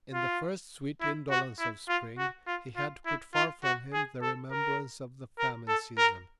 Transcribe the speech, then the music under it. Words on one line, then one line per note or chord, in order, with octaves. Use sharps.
In the first sweet indolence of spring he had put far from him the remembrance of the famine season.
F4
E4
F#4
E4
F4
F#4
F4
F4
E4
F4
F#4
G#4
A4
A#4
A#4
A4
A#4